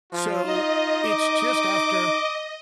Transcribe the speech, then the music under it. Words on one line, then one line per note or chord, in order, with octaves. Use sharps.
So, it's just after
F3 F4
D#4 D#5
D6